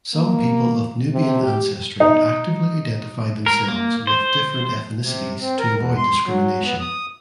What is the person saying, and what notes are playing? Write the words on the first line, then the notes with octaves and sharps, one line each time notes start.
Some people of Nubian ancestry actively identify themselves with different ethnicities to avoid discrimination.
A#3
C3
G4
D#4
A#4
A#3
C5
C3
C4
A#4
E2
C6
F#3
B3
D#6